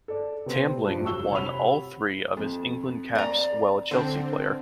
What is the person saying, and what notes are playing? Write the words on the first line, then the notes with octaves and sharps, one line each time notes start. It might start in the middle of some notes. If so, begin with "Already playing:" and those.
Tambling won all three of his England caps while a Chelsea player.
A4 D5
C3 B3 C4
G2 F3
F1 F#3 C#6 E6 G7
C3 C#5 F#5 B5 F7
F2
D5 A#5
D3 C4